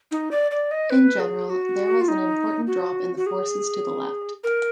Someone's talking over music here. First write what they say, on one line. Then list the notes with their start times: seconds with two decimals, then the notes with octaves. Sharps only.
In general, there was an important drop in the forces to the left.
0.11 D#4
0.31 D5
0.51 D5
0.71 D#5
0.90 B4
1.20 G#4
1.49 F#4
2.01 F4
2.08 D#4
2.67 F#4
3.17 F#4
3.26 G#4
4.44 A#4